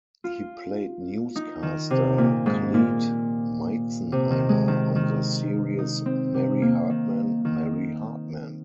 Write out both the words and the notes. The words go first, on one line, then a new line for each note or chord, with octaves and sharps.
He played news caster Clete Meizenheimer on the series, "Mary Hartman, Mary Hartman".
F4
D#4
D#3
C3
A#2
G#2
A#2
C3
D#3
G#3
D#3
D#3
D#4
C4
C3
A#3
D#3
D#3